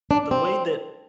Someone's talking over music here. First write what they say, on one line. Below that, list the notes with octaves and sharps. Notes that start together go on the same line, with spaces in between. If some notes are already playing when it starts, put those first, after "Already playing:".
the way that
D4
C4